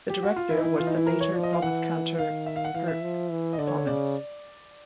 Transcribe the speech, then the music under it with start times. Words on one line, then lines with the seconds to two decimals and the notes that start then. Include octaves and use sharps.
The director was the later Thomaskantor Kurt Thomas.
0.10 G4
0.23 F#4
0.36 F4
0.50 E3 E4
0.57 D#4
0.64 E4
0.78 E3 F4
0.87 D#4
0.97 E4
1.06 A#4
1.20 C#5
1.34 F3 D5
1.43 D#5
1.53 F5
1.62 E3 F#5
2.19 D#3 F5
2.46 E5
2.56 F5
2.65 F#5
2.74 E3 F5
2.88 E5
3.03 F3
3.31 E3
3.53 D#5
3.58 D3 D5
3.67 C#5
3.78 C#5
3.87 C#3 D5